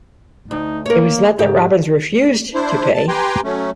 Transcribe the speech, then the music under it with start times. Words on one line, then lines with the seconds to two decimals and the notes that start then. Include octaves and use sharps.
It was not that Robens refused to pay.
0.51 D2 D#4
0.86 A#3 A#4 C#5
1.39 G#2 C#3 G4
2.55 D4 E4 C5
2.94 A5
3.08 G4 B4 G5 G#5 A#5 C6
3.44 F#3 A3 C#4